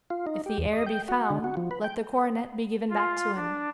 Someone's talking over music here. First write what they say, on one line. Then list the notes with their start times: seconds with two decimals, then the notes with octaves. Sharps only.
If the heir be found, let the coronet be given back to him.
0.10 F4
0.27 D#4
0.46 G4
0.58 E2
0.73 D#5
0.86 G5
1.09 F#4
1.30 D3
1.44 F#4
1.57 F3
1.71 B4
1.84 G5
2.90 F4
3.36 D4